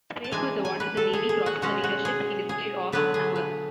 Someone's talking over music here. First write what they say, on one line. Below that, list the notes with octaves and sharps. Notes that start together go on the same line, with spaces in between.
Sprague was awarded the Navy Cross for the leadership he displayed off Samar.
A5
E3 G#3 D4 G#5
G#5
B4
A4
G#4
G#4
F#4
B2 G#3 C#4 F#4
F#4
G#4
G#4
D3 F#3 B3 D4 B4
G#4
B4